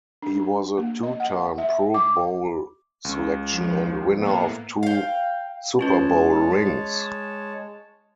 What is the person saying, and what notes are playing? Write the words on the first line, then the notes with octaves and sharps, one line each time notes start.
He was a two-time Pro Bowl selection and winner of two Super Bowl rings.
D4
A#3
D#5
F#5
E5
D6
C#2
F3
A2 A#3 B3
F5 G5
G#3 C#4 F4 B4 C#5 A5